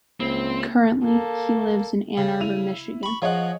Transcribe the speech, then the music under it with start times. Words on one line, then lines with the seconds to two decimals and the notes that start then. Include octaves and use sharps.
Currently, he lives in Ann Arbor, Michigan.
0.20 C#2 A#3 C4
1.03 A#3 A4
2.18 C#3
2.40 E4 D#7 F7
3.03 B5 C#6
3.22 F3 G#4 C#5 D#5 F#5